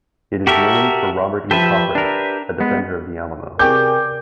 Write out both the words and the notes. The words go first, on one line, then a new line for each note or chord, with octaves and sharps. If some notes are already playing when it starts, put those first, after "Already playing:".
It is named for Robert E. Cochran, a defender of the Alamo.
F#4 G4 A4 A#4 E5
F3 G4 A4 B4 E5
D4 A#4
G#3 B3
C3 G4 G#4 A#4 D5 G5 G6